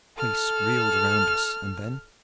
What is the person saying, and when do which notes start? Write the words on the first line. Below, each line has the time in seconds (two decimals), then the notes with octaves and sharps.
Space reeled round us, and then....
0.17 A4 F6